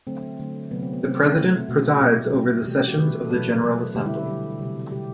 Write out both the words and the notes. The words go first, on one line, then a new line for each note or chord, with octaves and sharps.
The President presides over the sessions of the General Assembly.
D3 F#3 A3 C4
D3 F#3 A3
C3 F#3 A3 B3
C4
B3
C3 F#3 A3 C4
B2 A3
B2 A3 F#4
B2 G3 G4
B2 G3 F#4
C3 E3 A3 G4
G4
F#4
C3 E3 A3 B4
A4
B2 F#3 A3 B4
B2 F#3 A3
D3 G3 G4
E4
G4
D3 G3
C3 G3
C3 G3 G4